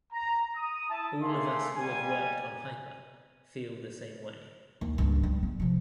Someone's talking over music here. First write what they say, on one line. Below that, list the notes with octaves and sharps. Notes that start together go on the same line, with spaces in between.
All of us who have worked on Hyper feel the same way.
A#5
D#6
E4 A5
A3 A#3 G#4 F5 C6
G3 A#3 G#5
D#2
C#2 G2
G3
B3
C3 F3